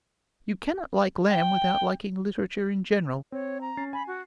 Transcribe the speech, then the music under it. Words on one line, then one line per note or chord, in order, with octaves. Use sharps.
You cannot like Lamb without liking literature in general.
G5
C4 C#5
A#5
C#4 A6 C7
G#5 B5
F#4